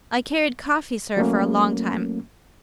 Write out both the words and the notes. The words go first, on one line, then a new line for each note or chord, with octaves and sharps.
I carried coffee, Sir, for a long time.
F#3 A3 A#3 C#4